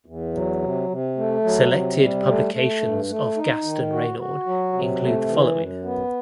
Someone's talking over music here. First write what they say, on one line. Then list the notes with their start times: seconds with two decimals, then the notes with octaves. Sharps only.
Selected publications of Gaston Raynaud include the following.
0.06 E2
0.34 F#3
0.62 C3
0.89 C3
1.17 A3
1.44 F#3
1.71 C3
1.99 G3
2.26 A3
2.53 A3
2.81 G2
3.09 A3
3.36 D#4
3.63 D#3
3.92 F#4
4.19 F#4
4.46 F#3
4.73 C3
5.01 A3
5.28 E3
5.55 F#2
5.84 B3